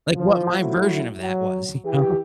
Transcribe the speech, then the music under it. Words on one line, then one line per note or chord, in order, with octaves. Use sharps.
Like, what my version of that was, you know?
F3
F#3 A3 E4
F#3
E3 G4